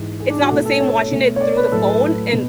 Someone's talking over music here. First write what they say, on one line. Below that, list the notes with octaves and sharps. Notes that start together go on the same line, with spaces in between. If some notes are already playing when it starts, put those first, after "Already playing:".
it's not the same watching it through the phone and
Already playing: G#2 E3 G#3
G#4
D4
F#4
B2 A3 A4
A4
C#5
B2 A3
C#5
D5
B4
A2 F#3 A3 A4
B4
B2